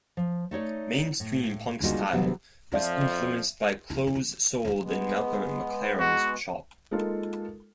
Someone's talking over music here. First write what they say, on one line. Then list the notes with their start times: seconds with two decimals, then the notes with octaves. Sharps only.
Mainstream punk style was influenced by clothes sold in Malcolm McLaren's shop.
0.17 F3
0.51 A3 D#4 C#5 D5
1.20 A2
1.83 G3 G#3 A#3 D#4 F4 F#4
2.13 C3 E3 F#3 G3 B3 D4
2.74 F2 F3 D5 E5 F5
4.82 G#3 B3
6.00 F#4
6.91 G#3 A#3 D#4 F4 A4